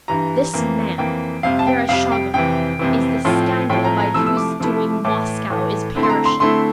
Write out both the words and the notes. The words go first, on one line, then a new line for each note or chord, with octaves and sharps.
"This man, Vereshchagin, is the scoundrel by whose doing Moscow is perishing."
G2 E3 G3 A#5
F2 E3 A#3
F2 E3 A#3 G5
F2 C3 G3 F5
A5
G5
F2 C3 G3 F5
G5
F2 C3 E3 G5
F2 C3 E3
A2 F3 C4 F4
A2 F3 C4 F4 G5
A#5
A#5
C3 F3 A3 E4 E6
E6
D6
C3 F3 A3 E4
A2 E3 A3 D6
A2 E3 A3
D3 A3 C4 E4
C6
A#5
C6
D3 A3 C4 E4 C6